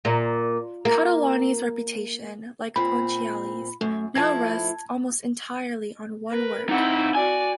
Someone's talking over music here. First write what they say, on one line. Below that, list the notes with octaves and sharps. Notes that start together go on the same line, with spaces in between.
Catalani's reputation, like Ponchielli's, now rests almost entirely on one work.
A#2
A#3
A#2 C4 B5
F#2 A3
A2 F3 E4 A5 G#6
A#4 B4
C4 D#4 E4 F#5
F#4 D5 G#5